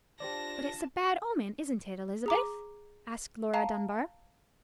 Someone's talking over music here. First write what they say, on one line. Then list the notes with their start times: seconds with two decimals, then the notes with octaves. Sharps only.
"But it's a bad omen, isn't it, Elizabeth?" asked Laura Dunbar.
0.20 D4 F4 G4 C5 D5 A5 A#6
2.26 G#4 A#5 D6
3.54 F5 A5 A#5